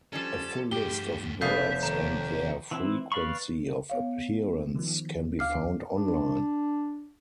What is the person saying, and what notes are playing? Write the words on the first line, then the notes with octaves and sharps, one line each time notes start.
A full list of birds and their frequency of appearance can be found online.
F3 G3 C#4 A4
G2 A3 G4 G7
F1 A3 B3 B4 E5 F5 G6
D#2 A#5
E3 C4 E4
B4 D5 F5 B5 C#6
B3 C#5 F5
D#3 F3
D2 F5 D6 F6 C7
D4